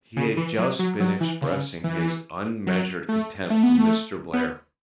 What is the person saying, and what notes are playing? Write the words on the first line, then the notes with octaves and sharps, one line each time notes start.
He had just been expressing his unmeasured contempt for Mr. Blair.
C#3
E3
F#3
F#3
F#3
E3
C#3
E3
F#3
A3
A3
B3
A3
B3